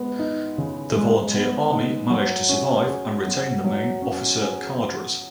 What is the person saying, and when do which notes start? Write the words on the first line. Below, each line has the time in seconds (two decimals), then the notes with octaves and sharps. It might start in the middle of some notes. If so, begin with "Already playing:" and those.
The Volunteer Army managed to survive and retain the main officer cadres.
Already playing: G#3 B3
0.19 D#4
0.58 C#3
0.96 G#3
1.35 B3
1.72 D#4
2.10 F#3
2.49 C#4
2.87 G#4
3.26 F#3
3.64 F#3
4.02 C#4
4.41 G#4